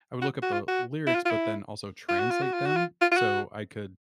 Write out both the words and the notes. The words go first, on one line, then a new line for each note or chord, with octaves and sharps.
I would look up the lyrics, but then also translate them, so I could
F#4
F#4
F4
F#4
E4
F4
F4
E4
F4
F#4
F4
F#4
F4
F#4
F4
F4
F4
F#4